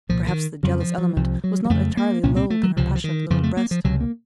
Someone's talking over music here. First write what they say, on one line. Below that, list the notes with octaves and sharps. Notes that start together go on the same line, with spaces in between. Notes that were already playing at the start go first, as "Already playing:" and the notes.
Perhaps the jealous element was not entirely lulled in her passionate little breast.
C2 A#2 F3
D#3
F2 C#3 F#3
F3
F3
C2 C3 F3
F#3
F#3
F2 C#3 A3
A#3
C2 A#2 C#4
C4
A3
F#3
C#2 C3 F3
F3
D#3
F2 C#3 F3
A3
A#3
F3
C#2 C3 F#3
A#3